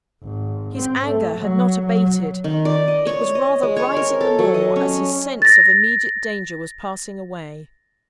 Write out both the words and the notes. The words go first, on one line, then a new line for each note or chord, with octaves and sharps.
His anger had not abated; it was rather rising the more as his sense of immediate danger was passing away.
G#1
C4
A3
F#3
F#3
D#3
D5
D#5
C#5
D#5
G#3
C#5
A#4
A4
F#3
D#5
C#4
A6 A#6